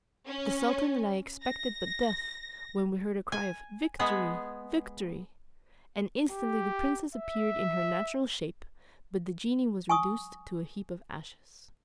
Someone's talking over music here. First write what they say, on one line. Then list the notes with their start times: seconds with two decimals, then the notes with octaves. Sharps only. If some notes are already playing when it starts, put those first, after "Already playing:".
The sultan and I expected but death, when we heard a cry of "Victory! Victory!" and instantly the princess appeared in her natural shape, but the genie was reduced to a heap of ashes.
0.26 C#4
1.43 A#6
3.32 G#5
3.99 G#3 B3 G#4
6.30 G4
7.15 E5
9.89 G#5 C#6 D#6